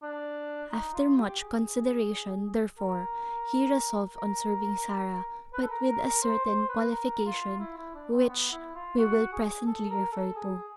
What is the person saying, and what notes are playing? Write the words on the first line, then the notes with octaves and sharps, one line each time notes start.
After much consideration, therefore, he resolved on serving Sarah, but with a certain qualification, which we will presently refer to.
D4
D#4
F4
G4
G#4
A#4
A#4
B4
A4
A#4
A#4
A#4
C5
C5
B4
A#4
F4
E4
E4
D4
C4
B3
E4
F4
F#4
G#4
A4
A#4
A4
G#4